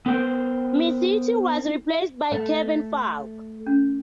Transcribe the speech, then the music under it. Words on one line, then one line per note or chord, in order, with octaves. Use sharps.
Micciche was replaced by Kevin Falk.
B3 A#4 C5 G5
A3
C#4